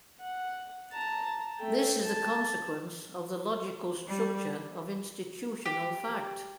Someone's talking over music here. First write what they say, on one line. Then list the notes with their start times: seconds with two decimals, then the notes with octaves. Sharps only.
This is the consequence of the logical structure of institutional fact.
0.21 F#5
0.93 A5 A#5
1.59 A3 G5
2.04 A5
4.07 G3
5.66 G4